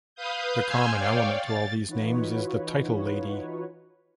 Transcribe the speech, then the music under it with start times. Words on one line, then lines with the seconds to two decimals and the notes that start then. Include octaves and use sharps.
The common element to all these names is the title Lady.
0.15 B4 F5 D#6 G6
0.64 G#5 C6 E6 F6 G6 G#6
0.94 C#5 D5 F5 G5
1.40 A6
1.89 E3 D#4 F4 F#4 B4 C#5